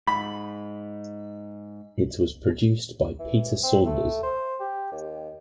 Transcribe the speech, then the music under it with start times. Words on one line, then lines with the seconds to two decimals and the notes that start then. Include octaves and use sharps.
It was produced by Peter Saunders.
0.07 G#2 B5
3.20 E3
3.63 C4
3.86 A3
4.23 C5
4.60 G4
4.92 D#2